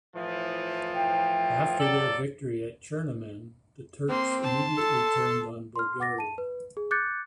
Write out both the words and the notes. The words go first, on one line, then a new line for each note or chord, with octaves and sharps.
After their victory at Chernomen, the Turks immediately turned on Bulgaria.
A2 E3 F3
G5
F#3 A4 D5
A#3 C4 C6
A5 C6
A4
C6 F6
F#5 D6 A6 A#6
A5 D#7
B4
G#4
D6 F#6 G6 A6 C#7